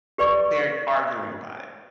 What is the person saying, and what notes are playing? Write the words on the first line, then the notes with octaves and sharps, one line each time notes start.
they're d arguing about it.
G4 B4 D5 C#6 D6